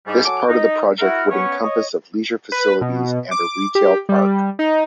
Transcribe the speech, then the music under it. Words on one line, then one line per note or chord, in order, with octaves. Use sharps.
This part of the project would encompass of leisure facilities and a retail park.
G#2 G3
F#3 A4 G#5 D6
D#4
E4 F#4 A#4
B3 C#4 C#5
C#5 D#5 D#6
B4
B2
D6
G4
G3
D#4